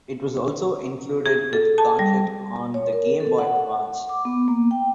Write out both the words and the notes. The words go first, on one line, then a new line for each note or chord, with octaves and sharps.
It was also included with Gauntlet on the Game Boy Advance.
G#4
A4
A5
G3
C#5
A#4
A4
F#5
D6
B3
A#3
G5